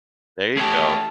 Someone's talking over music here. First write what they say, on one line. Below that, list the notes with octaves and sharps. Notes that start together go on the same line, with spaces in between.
There you go.
E3 A3 C#4 G4 G#4 A5